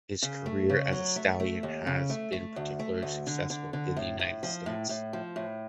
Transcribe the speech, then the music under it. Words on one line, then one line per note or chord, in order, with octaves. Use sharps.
His career as a stallion has been particularly successful in the United States.
C#3
A3
C#3
F#3
A3
A3
D#2
C#3
A3
A3
D2
A3
D2
D3
D3
D3
A2
A2
F3
A2
A2
F3
A2